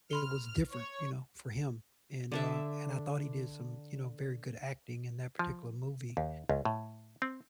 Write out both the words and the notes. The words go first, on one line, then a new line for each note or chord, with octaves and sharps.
it was different, you know, for him. And, uh, and I thought he did some, you know, very good acting in that particular movie.
B5 C6 F6 G7
C#5
D3 D4 E5
F3
D#2
C#2
A2
C4